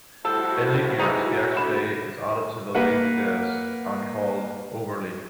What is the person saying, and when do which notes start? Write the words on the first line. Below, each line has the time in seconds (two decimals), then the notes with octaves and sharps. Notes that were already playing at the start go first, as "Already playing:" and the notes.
In leap years, the extra day is added to the Lithedays and called Overlithe.
0.25 A2 F3 G3 E4 F#4 A4
0.99 E3 G#3 D#4
1.57 D2 B5
2.75 A#3 B4 F#5